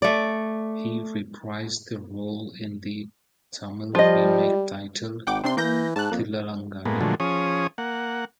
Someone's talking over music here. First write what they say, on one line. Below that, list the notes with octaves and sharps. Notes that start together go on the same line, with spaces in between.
He reprised the role in the Tamil remake, titled "Thillalangadi".
A3 D5
F3 G3 F4 D#5
G#1 F#5 G5 D6
C3 C4 D4 C6
E3 A#3 G6 A#6
G#2 A5 F#6
F2 A#3
A2 G#3 A#3 B3
A#2 D3 F3 F#3 G#3 A3
F3 C#4 G#4 C#5 D#6
A#3 F#5